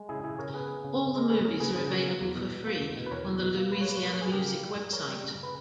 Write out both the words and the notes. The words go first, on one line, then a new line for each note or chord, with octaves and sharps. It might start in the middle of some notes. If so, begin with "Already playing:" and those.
All the movies are available for free on the Louisiana Music website.
Already playing: G#3
C#3 E4 G#4
C#3 E4 G#4
C#3 A#4 C#5
B3 G#4 B4
B3
C#3
C#3
G#3 A#4
C#3 G#4 B4
C#3 A#4 C#5
C#3 G#4 B4
C#3 G#4 B4
B2 A#4 C#5
A#3
E2
B2
B2
A#3
E2
B2
B4
E2 A#4 C#5
E2
B2
A#3
A#3 B4
C#5
A#3 B4
C#5
A#3 B4
C#5
A#3 G#4 B4
C#3 G4 A#4
A#3
G3
G3
G3 A#4 C#5
G3
C#3
C#3 B4